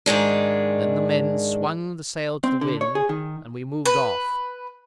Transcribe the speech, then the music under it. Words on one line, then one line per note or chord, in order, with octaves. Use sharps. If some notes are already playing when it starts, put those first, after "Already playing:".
Then the men swung the sail to the wind, and we moved off.
G#2 D#3 G#3 D4
C4
D3
C#5
G#4
D#3
B4